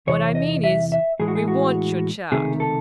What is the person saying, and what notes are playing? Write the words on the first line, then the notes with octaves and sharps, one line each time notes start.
What I mean is, we want your chart.
E2 C3 E3 C#5
D#5
E5
E5
A2 E3 G#3 G#4
F#4
G#4
F#4
C#2 C3 D#3 A3 G#4
A4